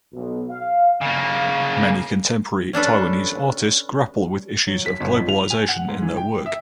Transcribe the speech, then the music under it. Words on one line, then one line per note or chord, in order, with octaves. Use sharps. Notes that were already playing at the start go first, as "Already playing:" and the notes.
Many contemporary Taiwanese artists grapple with issues of globalization in their work.
B1
F5
C#3 A#3
C#4 D4 A4 B4
F#3
B6
G1
F2
F7
G#5
F#5
G#2
E3
G5
E5